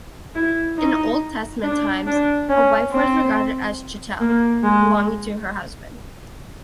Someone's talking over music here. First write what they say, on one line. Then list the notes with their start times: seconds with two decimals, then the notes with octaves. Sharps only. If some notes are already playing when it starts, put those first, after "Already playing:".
In Old Testament times, a wife was regarded as chattel, belonging to her husband.
0.35 E4
0.78 D#4
1.63 D4
2.07 D4
2.49 C#4
2.92 C4
4.20 A#3
4.64 G#3